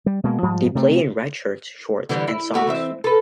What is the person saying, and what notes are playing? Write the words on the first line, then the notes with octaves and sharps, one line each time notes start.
They play in red shirts, shorts and socks.
G3
B2 G#3 A#3
G#2 F3 G3
C3 A3 B3 C4
D3 E3 G3
E4
A3 F#4 G4
E3 C4 E5
A4 B4